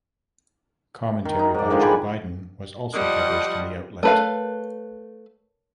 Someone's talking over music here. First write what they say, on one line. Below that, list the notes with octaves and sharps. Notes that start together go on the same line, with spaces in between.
Commentary by Joe Biden was also published in the outlet.
D#3
D#4
G#2 D5
D3 D#3 F3 G#3
D4 G5 G#5 B5
F3 G3 D#5 F#5
A3 A#4 B4 C#5 F5 A5